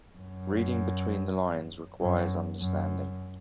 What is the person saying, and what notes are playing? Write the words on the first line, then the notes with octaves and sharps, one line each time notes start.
Reading between the lines requires understanding.
F#2
F#2
F#2